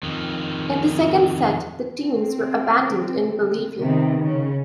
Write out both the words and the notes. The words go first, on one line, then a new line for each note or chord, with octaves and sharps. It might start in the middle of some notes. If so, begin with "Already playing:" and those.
In the second set, the teams were abandoned in Bolivia.
F2 D#3
C4
C3 D#3 B3
C#3 C#4